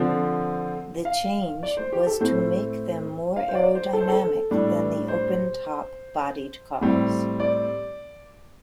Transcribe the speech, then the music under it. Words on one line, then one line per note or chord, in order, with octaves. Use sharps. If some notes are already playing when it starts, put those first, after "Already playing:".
The change was to make them more aerodynamic than the open top bodied cars.
Already playing: D3 F3 C4
F5
D5
C5
G4
A4
A2 A3 C4 C5
F5
C5
D5
C5
A4
C5
A4
A2 G3 D4
C5
A2 G3 C4
D5